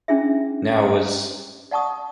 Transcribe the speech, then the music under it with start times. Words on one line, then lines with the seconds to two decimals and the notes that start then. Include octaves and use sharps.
Now was
0.08 C#4 D4 E4 G#4 E5
1.71 D5 F#5 A5 C#6 D#6